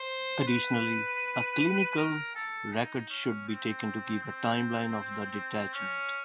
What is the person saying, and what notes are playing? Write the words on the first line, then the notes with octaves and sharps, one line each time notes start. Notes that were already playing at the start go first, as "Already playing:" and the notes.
Additionally, a clinical record should be taken to keep a timeline of the detachment.
Already playing: C5
B4
A#4
A4
D#4
C#4
C4
C4
C#4